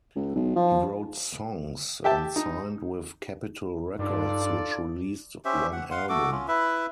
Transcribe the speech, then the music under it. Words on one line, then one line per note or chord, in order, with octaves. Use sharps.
He wrote songs and signed with Capitol Records, which released one album.
C#2
B1
F3
G4 E5 G5 A5
D#4
G2 D#4 F4 A4 D5
C#4 G4 C5 E5
F#5
F5 F#5 C6
A3 F#4 A4 D6
C#4 F4
E4 B4 E5